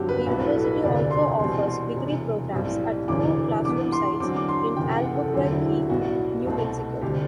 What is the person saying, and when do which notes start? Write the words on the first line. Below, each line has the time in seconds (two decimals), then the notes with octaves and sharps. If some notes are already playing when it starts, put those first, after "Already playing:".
The University also offers degree programs at two classroom sites in Albuquerque, New Mexico.
Already playing: G1 G2 F#3 C4 F#4 G4
0.09 B4
0.26 B1 A2 G3 B3 F#4
0.40 B4
0.46 A4
0.64 B4
0.84 E1 D2 C3 D5
1.11 C6
1.39 E2 B2 G3 C4 C6
1.67 C6
1.96 E1 E2 C3
2.52 B1 A2 G3 C4
3.08 E1 D2 C3 E3 G3 D6
3.65 G2 E3 B3 D6
3.92 C6
4.20 E2 D3 F#3 C4 D6
4.36 D6
4.49 C6
4.76 F#1 E2 C3 G5
4.96 F#5
5.14 A4
5.33 E1 D2 D3 F#3 C4 G4
5.51 E4
5.71 F#4
5.90 B1 A2 G3 B3 F#4
6.45 C2 B2 A3 C4
7.02 D2 C3 G3 G4